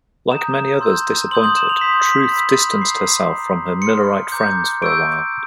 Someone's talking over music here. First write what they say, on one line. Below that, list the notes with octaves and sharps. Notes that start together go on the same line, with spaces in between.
Like many others disappointed, Truth distanced herself from her Millerite friends for a while.
A#5 D#6 G6 E7
C6 E6 G6
C6 D#6 G6 F#7
F#7
E7
F7
C6 D#6 G6 B6
B6
B5 E6 G6 B6
A#5 D6 G6 C7
A#5 D#6 G6
C6 F6 C#7
A#5 D6 G6
C#6 E6 G6 D7